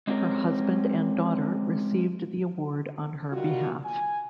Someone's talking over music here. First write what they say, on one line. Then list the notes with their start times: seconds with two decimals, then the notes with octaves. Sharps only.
Her husband and daughter received the award on her behalf.
0.07 G#3 C4 C#4 G4 A#4
3.32 D#3 G3 F4 F#4
3.85 G#5